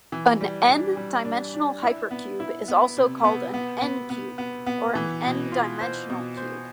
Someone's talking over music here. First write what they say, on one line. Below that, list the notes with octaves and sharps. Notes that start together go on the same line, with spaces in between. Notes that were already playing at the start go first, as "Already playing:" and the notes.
An "n"-dimensional hypercube is also called an n"-cube or an n"-dimensional cube.
E3
G3
D4
G3
D4
D4
E4
B3
E4
B3
C3
B3
B3
B3
B3
B3
B3
E3
B2
F4
C5
B2
C5